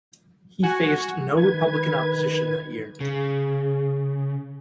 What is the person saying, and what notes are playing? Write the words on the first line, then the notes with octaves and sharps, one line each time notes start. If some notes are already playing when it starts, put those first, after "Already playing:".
He faced no Republican opposition that year.
F#4 G#5
D#3 B4 G#6
C#3 G#4